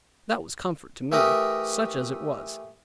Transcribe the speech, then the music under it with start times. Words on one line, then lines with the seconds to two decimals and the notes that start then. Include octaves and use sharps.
That was comfort to me, such as it was.
1.12 E3 A3 G4 A#4 D#5